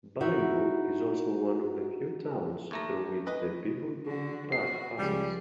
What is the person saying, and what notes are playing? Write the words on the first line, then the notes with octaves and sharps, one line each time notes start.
Balingup is also one of the few towns through which the Bibbulmun Track passes.
D#4 E4 F#4 E5
D#2 A3 A#5
B4 D#5
D3 F#4
B3 F#4 C7
C#2 F3 G3 G#4